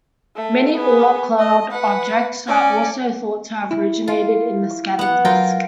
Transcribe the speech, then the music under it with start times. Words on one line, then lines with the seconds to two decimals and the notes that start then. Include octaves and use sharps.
Many Oort cloud objects are also thought to have originated in the scattered disc.
0.36 A3
0.77 B3 G#4
1.38 D#5
1.70 B4 F#5
2.47 C#4 D5
3.71 E4
4.08 F4
4.99 B3 F#5
5.25 F#3 F4 A#4 G5